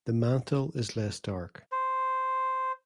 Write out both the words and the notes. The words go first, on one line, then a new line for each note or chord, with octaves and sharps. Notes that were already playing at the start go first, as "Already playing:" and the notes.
The mantle is less dark.
C5